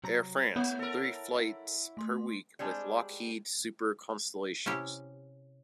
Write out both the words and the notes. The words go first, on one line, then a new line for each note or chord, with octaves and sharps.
Air France - three flights per week, with Lockheed Super Constellations.
C3 F#3 A#5
A3 B3 E4 C#5 F#5
A4 A#4
A3 C6
G3 G#3 C4 D4
C3 C#4 E4 G4